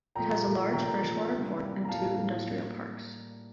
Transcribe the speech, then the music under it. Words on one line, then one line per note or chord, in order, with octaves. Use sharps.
It has a large freshwater port and two industrial parks.
A#2 F3 A3 G5 A#5
A#2 F3 A3
D3 F3 A#3 G5 A#5
D3 F3 A#3
C3 G3 A#3
C3 G3 A#3
A#5
A2 F3 A#3 F5 A5
A2 F3 A#3
G3 A#3